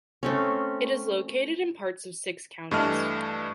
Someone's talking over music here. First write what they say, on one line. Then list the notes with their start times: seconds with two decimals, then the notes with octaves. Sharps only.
It is located in parts of six counties.
0.23 A3 C4 C#4
2.71 G2 E3 A3 D#5 A5 F6